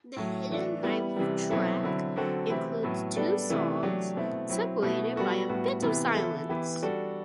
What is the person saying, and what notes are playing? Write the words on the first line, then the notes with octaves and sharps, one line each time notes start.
The hidden ninth track includes two songs separated by a bit of silence.
A2 F#3 A3
E3 A3 D4 A4
G3 B3 E4
C3 E3 G3
B2 F#3 C4 E4 A4
D3 F#3 C4 E4
D3 F#3 C4 F#4 A4
C3 E3 A3 C4 E4
A2 F#3 B3
G3 B3 D4 A4
C3 E3 A3 D4
F#3 A3 D4 G4
B2 A3 C4 E4
F#3 C4 E4
B2 A3 E4
G3 B3 F#4 A4
A2 G3 B3 F#4
C3 E3 B3 E4
E3 B3 E4 A4
E3 B3 E4 G4
G3 D4 F#4 A4